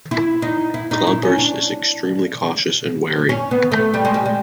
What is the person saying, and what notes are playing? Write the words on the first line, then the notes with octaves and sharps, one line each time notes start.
Cloudburst is extremely cautious and wary.
E4
D#4
E4
D#4
E4
C#4
D4
C#4
B3
A3
G3
G#3
G3
G#3